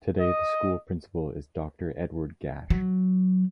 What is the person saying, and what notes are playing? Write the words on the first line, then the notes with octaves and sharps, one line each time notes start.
Today the school Principal is Doctor Edward Gash.
D#5
F#3